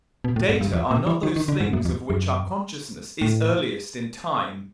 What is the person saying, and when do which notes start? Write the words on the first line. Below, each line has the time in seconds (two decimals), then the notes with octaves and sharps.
Data are not those things of which our consciousness is earliest in time.
0.24 B2
0.36 A2
0.49 G#2
0.61 G2
0.73 F2
0.91 A#2
1.07 E3
1.23 D#3
1.36 D#3
1.48 D3
1.60 G#2
1.73 F#2
1.85 F2
2.10 F#2
3.21 A2